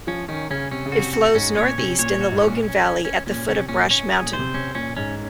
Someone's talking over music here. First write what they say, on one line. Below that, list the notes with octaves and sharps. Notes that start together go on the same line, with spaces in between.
It flows northeast in the Logan Valley at the foot of Brush Mountain.
F3 C#4
D#3 C#4
C#3 C#4
C3 C#4
C#3
F#4
C3
F#4
G#2 C#4
A#2 C#5
C3 C#4
A#2 C#5
A#2
F#4
G#2
C#4
A#2
C#4
C#4
C#4
A#2 C#4
C3 C#4
A#2 C#4
C#4
G#4
A#2
C5
C3
C3 C#4
A#2 C#4
G#2 C#4